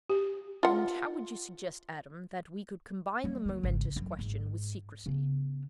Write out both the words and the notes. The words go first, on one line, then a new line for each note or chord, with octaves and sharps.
"And how would you suggest, Adam, that we could combine the momentous question with secrecy?"
G4
F4 F#5
G3 A#3
D#3 G#3
G#1 C#3
F#2
G#2
C#3 B3